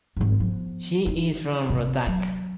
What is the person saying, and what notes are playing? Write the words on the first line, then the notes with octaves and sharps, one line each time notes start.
She is from Rohtak.
G#1 G2
F3 B3
D#4 E4
G1 C3
F#3